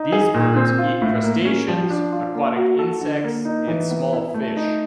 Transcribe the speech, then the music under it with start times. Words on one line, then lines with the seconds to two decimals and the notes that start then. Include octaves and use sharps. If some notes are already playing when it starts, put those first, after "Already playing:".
These birds eat crustaceans, aquatic insects, and small fish.
Already playing: D#4
0.12 G#4
0.34 A#2
0.56 C4
0.78 F4
1.02 A2
1.24 A#3
1.45 C#4
1.68 F3
1.90 D4
2.12 F4
2.35 A#3
2.56 F#4
2.79 A4
3.01 D3
3.24 A#3
3.45 D#4
3.68 E3
3.91 B3
4.13 E4
4.34 A3
4.57 D#4